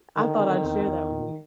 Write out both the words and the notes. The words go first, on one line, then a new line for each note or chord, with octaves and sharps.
I thought I'd share that with you
D3 D#3
C4
E2
E2
A#2